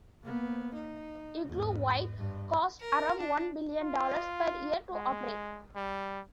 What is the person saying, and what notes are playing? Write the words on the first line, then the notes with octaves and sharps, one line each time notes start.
"Igloo White" cost around one billion dollars per year to operate.
A#3 B3
D#4
E2 G#2
G2
A#4
D4
F4
G#3
G3